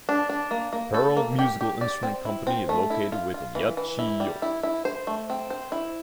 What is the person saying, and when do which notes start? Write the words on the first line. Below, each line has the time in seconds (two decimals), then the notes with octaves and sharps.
Pearl Musical Instrument Company is located within Yachiyo.
0.09 D4
0.30 D4
0.51 A#3
0.73 A#3
0.94 A4
1.17 A#3
1.39 G4
1.61 G4
1.81 D5
2.03 C4
2.25 E4
2.47 C4
2.69 A3
2.90 E4
3.12 F4
3.34 F4
3.55 E3
3.77 E3
3.99 E4
4.20 G3
4.42 E4
4.63 E4
4.85 C5
5.07 A3
5.30 C4
5.50 C5
5.72 E4